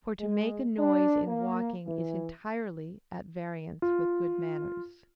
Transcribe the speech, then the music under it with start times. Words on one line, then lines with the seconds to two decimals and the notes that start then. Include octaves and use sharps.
For to make a noise in walking is entirely at variance with good manners.
0.19 G#3
0.78 D4
1.28 A#3
1.86 E3
3.82 F4